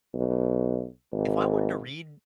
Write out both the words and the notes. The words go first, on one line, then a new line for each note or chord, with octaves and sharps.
If I wanted to read,
B1
G#1